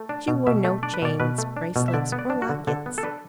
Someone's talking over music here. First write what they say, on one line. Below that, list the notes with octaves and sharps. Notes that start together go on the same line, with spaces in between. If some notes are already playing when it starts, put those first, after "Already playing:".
She wore no chains, bracelets or lockets.
Already playing: A3
D4
B2
B2 E5
A3
D4 D5
B4
B2 D5
B2 B4
A3
D4
B2
E5
D3 D5
B3
D5
D4
F#4
D3
D3 A4
B3
A4
D4 B4